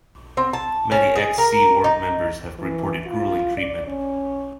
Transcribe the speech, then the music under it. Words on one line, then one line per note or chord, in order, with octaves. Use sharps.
Many ex-Sea Org members have reported gruelling treatment.
C4
A5
C#4
G#4
A#4
D#4
E3
F4
D5
C#4